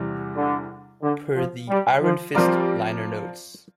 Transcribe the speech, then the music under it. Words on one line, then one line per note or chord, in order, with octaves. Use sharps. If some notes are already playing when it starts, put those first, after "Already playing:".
Per the "Iron Fist" liner notes.
Already playing: E2 C3 E3 G3
D3
D3
F3
G3
F3
F3 G3 C4 F4 A#4 D5